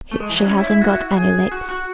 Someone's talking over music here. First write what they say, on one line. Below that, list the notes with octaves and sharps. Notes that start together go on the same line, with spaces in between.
She hasn't got any legs.
A3
G#3
E3
F#3
C#4
E4
E4
F#4
E4
F#4
G#4
F#4
F#4